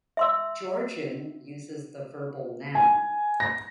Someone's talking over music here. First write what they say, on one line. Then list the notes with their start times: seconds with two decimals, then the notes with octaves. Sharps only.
Georgian uses the verbal noun.
0.17 E5 C6 E6
2.75 G#5
3.40 A#6